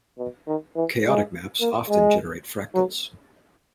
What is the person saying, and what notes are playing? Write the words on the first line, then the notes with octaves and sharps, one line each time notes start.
Chaotic maps often generate fractals.
B2
D#3
E3
G#3
A#3
G#3
F#3